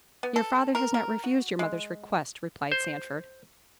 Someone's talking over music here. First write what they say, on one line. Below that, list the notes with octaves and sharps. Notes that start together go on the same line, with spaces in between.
"Your father has not refused your mother's request," replied Sandford.
B3
A4
A#4
A#4
F#4
G#3
C5